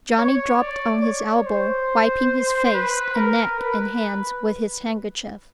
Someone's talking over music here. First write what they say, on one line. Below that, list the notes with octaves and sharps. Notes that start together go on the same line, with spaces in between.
Johnny dropped on his elbow, wiping his face and neck and hands with his handkerchief.
C#5
D5
C#5
C5
B4
A#4
B4